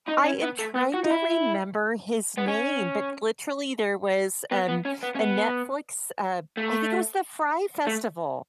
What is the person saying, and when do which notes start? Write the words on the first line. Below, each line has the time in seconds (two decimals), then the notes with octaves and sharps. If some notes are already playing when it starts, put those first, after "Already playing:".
I am trying to remember his name, but literally there was, um, a Netflix uh, I think it was the Fry Festival.
0.09 D#4
0.24 C#4
0.42 B3
0.59 A3
0.76 B3
0.94 F#4
1.04 D#4
1.11 E4
2.38 B3
2.47 C#4
4.51 B3
4.68 B3
4.85 C#4
5.03 B3
5.15 C#4
5.20 B3
6.57 A3
7.87 A3